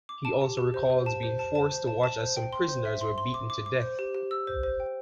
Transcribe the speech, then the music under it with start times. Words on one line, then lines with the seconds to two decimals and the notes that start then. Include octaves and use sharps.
He also recalls being forced to watch as some prisoners were beaten to death.
0.09 D6
0.25 A5
0.42 G4
0.57 G4
0.74 C5
0.90 C5
1.06 A5
1.23 C5
1.39 A5
1.55 A5
1.71 C5
1.87 A5
2.03 A5
2.20 C5
2.37 G5
2.53 C6
2.69 C5
2.85 E5
3.01 C6
3.18 C6
3.34 D6
3.50 D6
3.66 D6
3.82 C5
3.99 G4
4.14 G4
4.31 E6
4.47 C5
4.63 C5
4.80 G5